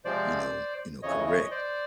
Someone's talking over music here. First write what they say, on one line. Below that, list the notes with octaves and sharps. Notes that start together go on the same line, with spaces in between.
you know you know, correct.
C3 F3 G#3 C4 C5 D5
F2 C#3 E3 C#5 D#5
C#5 D#5
D#5
C5 D5